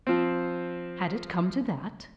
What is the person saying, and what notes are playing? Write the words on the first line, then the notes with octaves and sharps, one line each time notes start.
Had it come to that?
F3 C4